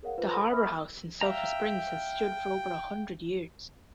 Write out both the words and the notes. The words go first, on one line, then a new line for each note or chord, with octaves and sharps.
The Harbor House in Sulphur Springs has stood for over a hundred years.
G#4 A#4 C#5 F5 F#5
F4 B4 C5
A4 F#5 B5 C6 A#6
E5 G#5 B5 D#6 F6
E6
E5 F5 G5 A#5